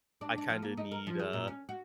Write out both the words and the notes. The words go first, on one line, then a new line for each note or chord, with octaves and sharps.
I kinda need, uh,
D4
D4
F3
A#3
D#4
A#4
F3
G#4
A#2
C#4
F#4